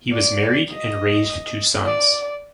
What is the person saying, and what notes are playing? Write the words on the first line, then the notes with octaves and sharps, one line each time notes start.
He was married and raised two sons.
D5
D#5
D5